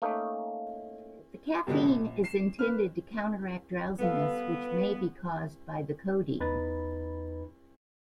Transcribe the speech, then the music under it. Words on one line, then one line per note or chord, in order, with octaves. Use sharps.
The caffeine is intended to counteract drowsiness which may be caused by the codeine.
A3 A#3 C#4 D#4
G2 B2 D3 F3 F#3 G#3
A#1
C7 E7
B4 F6
G3 B3 A4 F5
E2 D#4 B4 B5 A6